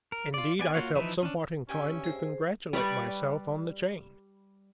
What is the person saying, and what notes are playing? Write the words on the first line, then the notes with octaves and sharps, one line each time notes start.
Indeed, I felt somewhat inclined to congratulate myself on the change.
A#4
F4 D5
B3 D5 G#5
A#3 F4 F#4 C#5 F5
E3 F3 D#4 B4 E5
C#4 D4
G2 C#4 E5 G5 G#5
G#4 C5
G3 B4 D5 C#6